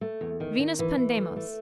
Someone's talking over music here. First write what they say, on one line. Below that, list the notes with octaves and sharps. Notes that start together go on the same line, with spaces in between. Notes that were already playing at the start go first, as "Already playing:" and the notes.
Venus Pandemos.
A3
E2
D#3
D#3
E3
E3
A3
A3